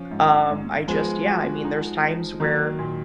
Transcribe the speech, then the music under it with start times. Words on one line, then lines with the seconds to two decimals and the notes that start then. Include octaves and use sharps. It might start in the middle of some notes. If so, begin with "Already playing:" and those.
um, I just yeah, I mean, there's times where
Already playing: F3 C#4 F4
0.11 G#2
0.50 G#2
0.88 F3 G#3 B3
1.26 F#4
1.65 D#4
2.02 D#4
2.40 D#3 F#3 A#3
2.79 A#2